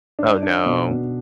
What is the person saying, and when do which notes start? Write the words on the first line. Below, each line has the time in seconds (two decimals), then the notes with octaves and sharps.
Oh, no.
0.19 D4
0.43 D4
0.66 B2
0.91 B2